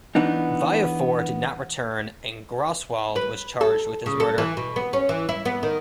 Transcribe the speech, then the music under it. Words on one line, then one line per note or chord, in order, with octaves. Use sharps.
Viafore did not return, and Graswald was charged with his murder.
E3 B3 D4 D#4
B4
A4
C#3
A4
E3
B2
B3
C#4
E3
E4
B3
D#3